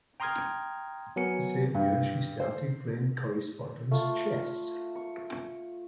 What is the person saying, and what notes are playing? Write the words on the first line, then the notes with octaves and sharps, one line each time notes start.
The same year she started playing correspondence chess.
G5 A#5 C6 D#6 F6 G#6
F#3 B3 A#4 G#5 C#7
G2
C5
A3 F4
C#6